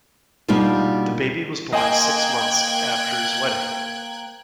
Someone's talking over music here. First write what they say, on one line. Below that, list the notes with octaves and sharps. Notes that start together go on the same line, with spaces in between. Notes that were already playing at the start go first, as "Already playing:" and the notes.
The baby was born six months after his wedding.
B2 G3 A#3 D4 D#4 F4
A#3 C5 D#5 G5 G#5 F#6 G#6